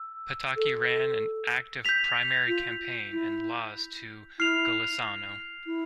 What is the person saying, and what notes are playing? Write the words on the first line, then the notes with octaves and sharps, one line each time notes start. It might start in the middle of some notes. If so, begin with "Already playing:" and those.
Pataki ran an active primary campaign and lost to Golisano.
Already playing: E6
A4
G6 B6 F7
F4
E4
E4 F6 C7 F7
E4